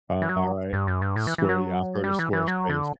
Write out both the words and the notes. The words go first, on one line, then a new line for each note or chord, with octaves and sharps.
Alright. Square yeah, I've heard of Squarespace.
E3
F#3
G2
F#2
G2
A2
E3
E3
F#3
G3
E3
E3
F#3
D3